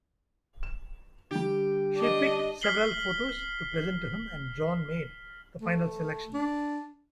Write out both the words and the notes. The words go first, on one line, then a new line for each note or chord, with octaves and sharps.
She picked several photos to present to him, and John made the final selection.
E7
D3 G3 G4
D4 D5 D#5
F6 B6 C7 F#7 G7
A3
D4